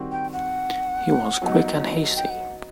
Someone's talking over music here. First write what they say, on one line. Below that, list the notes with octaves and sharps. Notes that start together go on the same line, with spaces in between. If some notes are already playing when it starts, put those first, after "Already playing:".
He was quick and hasty.
Already playing: D#3 G3 C4 F#4
G5
F#5
F#3 B3 D#4
G5
F#5